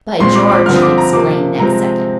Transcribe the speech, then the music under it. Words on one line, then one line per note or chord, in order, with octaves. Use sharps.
"By George!" he exclaimed, next second.
A#2 G#3 C4 C6
D6
D6
G2 D3 F3 C4 F6
D#6
D6
A#5
C3 F3 A#3 D6
C3 F3 G#3 C4 A#5